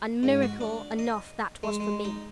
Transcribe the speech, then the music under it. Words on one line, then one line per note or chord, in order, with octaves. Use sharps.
And miracle enough that was for me.
G#2
F#4
D4
D#5
G#3
G#3
D#4